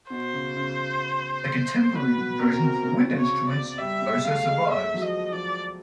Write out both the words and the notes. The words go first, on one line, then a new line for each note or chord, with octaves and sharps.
A contemporary version for wind instruments also survives.
B2 C5
C#3
C#3
B2 B4
B2
C3 A#4
B2
C3
C#3
C3
C#3
C#5
D5
G3 E5
G#3
A3 F5
G#3
E5
F#3
F3 D#5
F3 D5